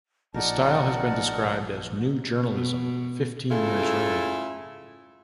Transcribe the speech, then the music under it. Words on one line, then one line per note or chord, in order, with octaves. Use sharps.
The style has been described as New Journalism fifteen years early.
A#1 D#4 A#4 D5 F#5 A5
B2
C#3 A3 E4 F4 G#4 A4